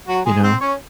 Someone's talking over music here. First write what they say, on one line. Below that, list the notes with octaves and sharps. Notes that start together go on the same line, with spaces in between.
you know?
F#3 F#4
G#3 G#4
C4 C5
C#4 C#5